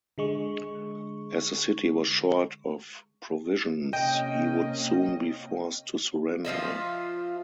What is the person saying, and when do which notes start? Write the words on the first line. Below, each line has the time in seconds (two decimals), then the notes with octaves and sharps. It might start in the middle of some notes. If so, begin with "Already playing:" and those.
As the city was short of provisions, he would soon be forced to surrender.
0.18 D3 G#3 C#6
3.93 C3 A#3 C#4 D#5 G5
6.45 F3 F4 D#5 E5